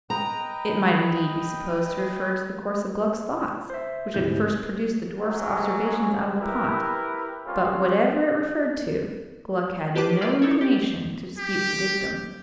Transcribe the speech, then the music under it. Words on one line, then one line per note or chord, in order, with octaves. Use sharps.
It might indeed be supposed to refer to the course of Gluck's thoughts, which had first produced the dwarf's observations out of the pot; but whatever it referred to, Gluck had no inclination to dispute the dictum.
B4 D#5 G5 A#5
C5 E5
D2 G#2 C3 E4 G6
G#2 C#3 F#3 G#3 G#4
E4 G4 A#4 B4
G3 C4 C#4 F4 A4
F4 G4 B4 C5 A5 D6
E4 F4 A#4 D5
D#4 E4 A4 C#5
G4
G4